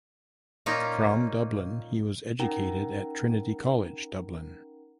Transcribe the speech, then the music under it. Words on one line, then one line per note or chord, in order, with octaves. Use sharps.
From Dublin he was educated at Trinity College Dublin.
A#2 A#3 C#4 D#4 F4
C#4 D#4 A#4 F#5 G5 A#5